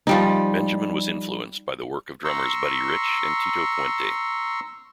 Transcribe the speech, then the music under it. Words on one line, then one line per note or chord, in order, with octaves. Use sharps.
Benjamin was influenced by the work of drummers Buddy Rich and Tito Puente.
F3 G3 D#4
A#5 C6 C#6 E6